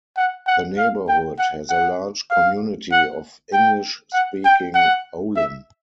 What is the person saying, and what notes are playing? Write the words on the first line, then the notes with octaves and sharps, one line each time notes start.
The neighborhood has a large community of English-speaking olim.
F#5
F#5
F5
G5
F#5
F#5
F5
F#5
G5
F#5
G5
F#5
E5